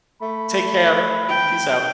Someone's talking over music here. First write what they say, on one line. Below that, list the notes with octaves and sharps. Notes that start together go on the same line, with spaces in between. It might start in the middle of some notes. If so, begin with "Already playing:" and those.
Take care, peace out.
A3 B5
G5